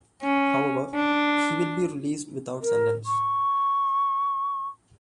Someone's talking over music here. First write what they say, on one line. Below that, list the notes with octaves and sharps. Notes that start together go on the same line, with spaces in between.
However, he will be released without sentence.
C#4
D4
A#4
C#6